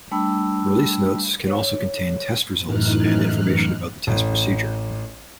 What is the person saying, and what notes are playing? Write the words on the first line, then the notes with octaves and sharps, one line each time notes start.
Release notes can also contain test results and information about the test procedure.
G3 A3 D4 G5 B5 E6
C#5
F#2 A2 E3 D#4 F6 F#6
A1